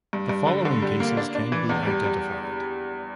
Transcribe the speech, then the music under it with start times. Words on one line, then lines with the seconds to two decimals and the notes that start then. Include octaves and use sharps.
The following cases can be identified.
0.13 G2
0.29 G2
0.47 D3
0.65 D3
0.82 G3
1.00 A#3
1.17 D4
1.35 D4
1.52 E3
1.69 E2
1.87 G3
2.04 G3